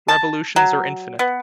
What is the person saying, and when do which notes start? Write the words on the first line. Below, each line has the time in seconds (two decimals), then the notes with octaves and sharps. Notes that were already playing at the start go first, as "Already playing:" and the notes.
Revolutions are infinite.
0.08 A5
0.56 F#3
1.19 B3